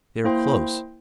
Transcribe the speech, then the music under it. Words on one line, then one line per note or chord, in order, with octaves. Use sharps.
They are close.
A#3 E4 C5 G5 C6